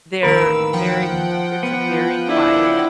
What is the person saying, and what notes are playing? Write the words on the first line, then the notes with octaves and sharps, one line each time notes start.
they're very it's a very quiet,
A1 D#2 A#4 B4 E6
F3 F#5 G5
B3
D4 E4